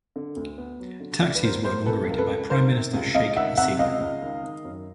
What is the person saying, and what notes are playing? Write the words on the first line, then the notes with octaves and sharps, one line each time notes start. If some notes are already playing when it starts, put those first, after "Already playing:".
The taxis were inaugurated by Prime Minister Sheikh Hasina.
D3
D2
B3
F#3
D3
D2 D5 E5
B4
B3 A#4 C5
F#3 A#4 C5
C3 A4 B4
C#2 A#4
A4 B4
C#2
D#3 A#4 C5
C3
C#2
C#2 D#5 F5
D#3 E5 F#5
C3 E5 F#5
C#2 D#5 F5
C#2
D#3
D#3
F#2